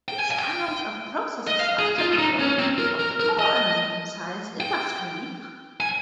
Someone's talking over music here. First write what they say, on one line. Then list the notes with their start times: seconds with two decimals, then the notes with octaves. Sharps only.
These kinds of processes are typical of small and medium-size industry.
0.08 G5
0.19 G#5
0.31 G#5
0.39 G5
1.47 D#5
1.59 F5
1.79 G#4
1.99 F4
2.19 D#4
2.40 C#4
2.59 C4
2.79 A#4
3.00 A#4
3.20 A#4
3.39 D#5
4.60 G5
5.80 G#5